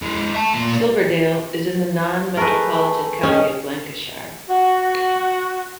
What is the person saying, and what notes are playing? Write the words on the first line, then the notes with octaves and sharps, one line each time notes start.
Silverdale is in the non-metropolitan county of Lancashire.
G#3 E4
E5 A5
A#2 C6
A3 G#4 A#4 B4
C#4 G#4 D#5 G5
F#4